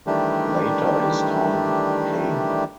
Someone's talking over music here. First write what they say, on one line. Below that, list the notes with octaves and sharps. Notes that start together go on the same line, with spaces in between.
Later his tongue came.
D#3 E3 G3 A3 D4 G4